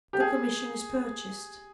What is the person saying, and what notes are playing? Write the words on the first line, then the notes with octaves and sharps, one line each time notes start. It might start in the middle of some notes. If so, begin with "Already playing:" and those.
The commission is purchased.
G4
G#4